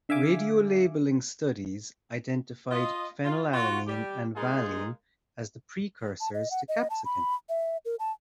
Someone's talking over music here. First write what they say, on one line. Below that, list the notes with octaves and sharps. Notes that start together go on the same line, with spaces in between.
Radiolabeling studies identified phenylalanine and valine as the precursors to capsaicin.
D3 E5 F5 G#5 D6
F4 D#5
F4
F4 F#4
G3 G4
G#3 A#3 D#4 F4 G#4
A5
D#5
F#5
D#5
A5
B5
E5
A#4
A5